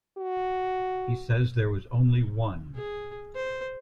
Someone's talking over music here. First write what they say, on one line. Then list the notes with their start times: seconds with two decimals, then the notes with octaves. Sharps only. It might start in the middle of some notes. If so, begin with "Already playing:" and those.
He says there was only one.
0.18 F#4
2.75 G#4
3.35 C5